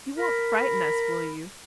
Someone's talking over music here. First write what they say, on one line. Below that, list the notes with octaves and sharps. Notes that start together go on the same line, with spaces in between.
You won't frighten us, will you?
A#4 B5